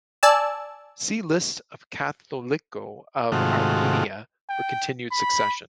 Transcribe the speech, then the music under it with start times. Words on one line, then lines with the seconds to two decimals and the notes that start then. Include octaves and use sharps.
See List of Catholicoi of Armenia for continued succession.
0.23 D5 G#5 A5 E6
3.32 G#2 C3 D#3 A3 F4 F#4
4.50 G5
5.12 B5